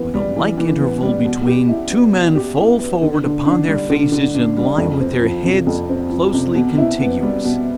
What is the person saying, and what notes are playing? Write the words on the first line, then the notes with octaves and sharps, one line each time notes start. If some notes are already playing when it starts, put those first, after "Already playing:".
With a like interval between, two men fall forward upon their faces; and lie with their heads closely contiguous!
Already playing: E3 B3
G3
E3
E3
B3
G3
B2
G4
E4
B3
B2
G4
E4
B3
D3
D3
D4
G3
D3
D3
D4
G3
F2
C4
F3
C3
F2
C4
F3
C3
B2
E4
B3
G3
B2